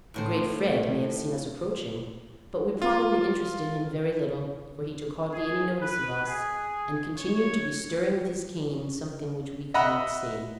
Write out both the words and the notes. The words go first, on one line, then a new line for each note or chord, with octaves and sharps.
The great Fred may have seen us approaching, but we probably interested him very little, for he took hardly any notice of us and continued to be stirring with his cane something which we could not see.
D#2 A2 C5
F4
G#4
B4
G#4
C#5
D#5 E5 F#5 A#5 B5